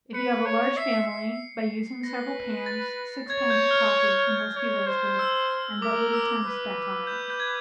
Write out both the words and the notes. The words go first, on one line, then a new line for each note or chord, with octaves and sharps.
If you have a large family, by using several pans, six pounds of coffee can thus be roasted, and but little time spent on it.
B4 C#7
C#5
E5 C7
E5
B4 A#6
A6
C#5 G#6
G6
F6
C#5
C5
E6
A#4 D6
E6
B4
G6
G6
G#6